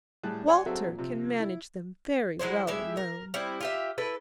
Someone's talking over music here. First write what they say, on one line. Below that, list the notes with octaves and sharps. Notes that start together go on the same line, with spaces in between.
Walter can manage them very well alone.'
A2 G3 G#4 A5 F#6
C#5 D5 F#5 G#5 C6
F#3 C4 F#4 G#4 A4 E5
A#2
C3 F3
E4
F#3 G#3 E4 C5
G#3 E4 G4 E5
A#4
G3 C4 E4
F4 G4 E5
E4 A4 B4